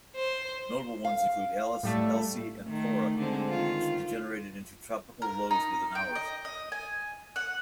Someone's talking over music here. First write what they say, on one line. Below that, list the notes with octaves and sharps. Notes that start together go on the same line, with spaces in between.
Notable ones include Alice, Elsie and Cora which degenerated into tropical lows within hours.
C5
F5
A2 G3 A3
D#3 A3
D3 G#3 C4
D#3 F4
A#4
D#4
G5
D#5
D#5
G#5
F#5